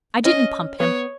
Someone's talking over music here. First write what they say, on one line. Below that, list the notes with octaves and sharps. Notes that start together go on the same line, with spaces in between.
I didn't pump him.
C#4 D#5
B3 C#5